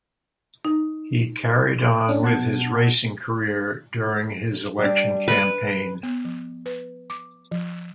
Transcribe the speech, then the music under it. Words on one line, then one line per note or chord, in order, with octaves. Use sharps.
He carried on with his racing career during his election campaign.
D#4
C#4 D4
B2 F#5 A5 G#6
G3 D4
B4
B3
F3
B4
D6
F3